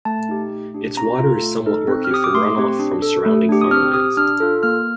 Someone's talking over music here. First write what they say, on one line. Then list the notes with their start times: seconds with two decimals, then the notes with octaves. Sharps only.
Its water is somewhat murky from runoff from surrounding farmlands.
0.05 A3 A5
0.29 D#4 G4
0.51 A3
0.74 D4 G4
0.97 C4 A#5
1.19 F4 A4
1.42 A3
1.66 D#4 A4
1.88 C4
2.04 F6
2.11 G4 D#6
2.24 D6
2.34 A3 C6
2.57 C4 G4
2.79 D4
3.02 A4
3.26 A3
3.49 D4 G4
3.61 D#6
3.71 C4 F6
3.94 G4 D#6
4.17 D4 F6
4.40 F4 A4
4.63 A#3 F6